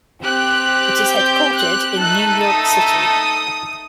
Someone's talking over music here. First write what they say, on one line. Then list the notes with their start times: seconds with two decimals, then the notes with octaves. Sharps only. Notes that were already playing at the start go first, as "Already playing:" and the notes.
It is headquartered in New York City.
0.22 C4 G4 F#6
1.10 G6
1.55 F#6
1.98 A3 D#4 A4 F#6
2.43 D#6